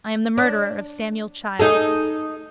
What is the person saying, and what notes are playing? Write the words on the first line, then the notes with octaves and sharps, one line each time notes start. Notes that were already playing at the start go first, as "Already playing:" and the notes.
I am the murderer of Samuel Childs.
D4
D#4 G#4 A4